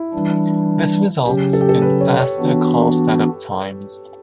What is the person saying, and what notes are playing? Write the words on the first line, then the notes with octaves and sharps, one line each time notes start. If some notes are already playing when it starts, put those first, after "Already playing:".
This results in faster call setup times.
Already playing: E4
E3 G3 D4
C#3 F#3 C#4 G4
A4
G4
A4
B4
C#5
C#5
E3 B3 D4 F#4